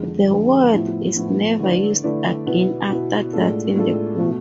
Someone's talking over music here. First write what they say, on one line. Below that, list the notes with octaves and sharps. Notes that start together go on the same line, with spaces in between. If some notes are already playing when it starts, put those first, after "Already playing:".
The word is never used again after that in the book.
Already playing: F2 D3 G#3
F2 D3 G#3
A2 F3 B3 E4
A2 F3 B3 E4
D3 A3 E4 B4 D5
D3 A3 E4 B4 D5
B2 B3 E4 B4
B2 B3 E4 B4
A2 G#3 D4 F4 A4
A2 G#3 D4 F4 A4
B2 A3